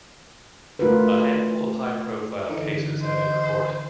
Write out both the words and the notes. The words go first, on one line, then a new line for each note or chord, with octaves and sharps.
A handful of high profile cases have been reported.
A3 D4 F4 F#4 A#4 B4
D3 E3 D#4
C5 D#5